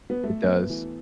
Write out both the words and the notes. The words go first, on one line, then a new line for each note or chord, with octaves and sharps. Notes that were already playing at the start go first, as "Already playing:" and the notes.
It does.
B3
A3
B3
E3